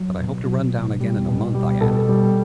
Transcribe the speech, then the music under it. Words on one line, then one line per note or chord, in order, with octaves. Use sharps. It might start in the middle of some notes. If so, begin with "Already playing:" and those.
"But I hope to run down again in a month," I added.
Already playing: F#3
B2
F#3
B2
G3
B2
G3
B2 A4
G3